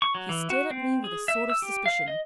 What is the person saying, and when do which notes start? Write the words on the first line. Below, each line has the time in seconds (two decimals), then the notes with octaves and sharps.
He stared at me with a sort of suspicion.
0.02 C#6
0.15 F#3
0.29 E3
0.50 F#4
0.70 C4
1.04 G#4
1.28 E5
1.50 E6
1.62 G4
1.86 F5
2.08 D#5